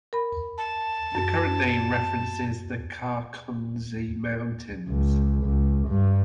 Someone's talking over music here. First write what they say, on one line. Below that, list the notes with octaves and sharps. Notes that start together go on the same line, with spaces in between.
The current name references the Karkonosze Mountains.
A#4 B5
A5
F#2
C#2
C#2
G2